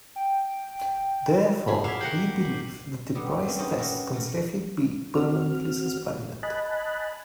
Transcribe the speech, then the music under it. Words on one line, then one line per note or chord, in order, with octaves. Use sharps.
Therefore, we believe that the price-tests can safely be permanently suspended.
G5
D#4 F4 G#4 B5
E4 F#4 F5 D6 F6 B6
G4 A#4 F#5 G6 C7 F#7
D3 G3 B3
A3 C4 C#4
G2 F3 F#3 G#3 C#4 D#4
G3 F#4 G#4 A#4 B4 E5
A3 A#4
C4 F#4 F6
D#5 G#5 A5 B5 F#6